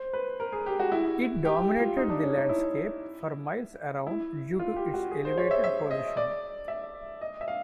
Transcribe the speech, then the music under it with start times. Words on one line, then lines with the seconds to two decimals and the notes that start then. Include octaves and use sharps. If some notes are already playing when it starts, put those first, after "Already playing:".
It dominated the landscape for miles around due to its elevated position.
Already playing: C5
0.13 B4
0.40 A#4
0.52 G#4
0.66 G4
0.80 F#4
0.92 E4
1.45 G4
1.62 G4
1.80 F4
1.97 D#4
2.10 D4
2.23 C#4
2.37 D#4
2.49 E4
4.07 E4
4.59 F4
4.76 G4
4.94 F#4
5.11 G#4
5.25 C5
5.38 C#5
5.51 E5
5.64 E5
5.91 D#5
6.17 D5
6.68 E5
7.21 D#5
7.41 E5
7.48 F5